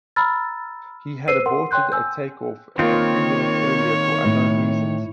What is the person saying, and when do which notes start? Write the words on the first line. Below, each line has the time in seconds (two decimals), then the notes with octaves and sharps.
He had aborted a take off a few minutes earlier for unknown reasons.
0.16 A#5 B5 E6 F6 A6
1.28 B4 C5 E6 C7 D#7
1.46 A#4 F#5 C6
1.71 C#5 G5 C6 F#6 G6
1.92 G#5 E6 G6
2.79 D#3 A#3 C4 F4 C#5
4.25 A2